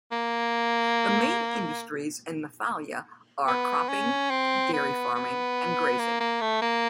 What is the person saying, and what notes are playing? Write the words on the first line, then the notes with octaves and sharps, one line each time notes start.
The main industries in Nathalia are cropping, dairy farming and grazing.
A#3
B3
C#4
C4
B3
B3
A#3
A#3
A3
A#3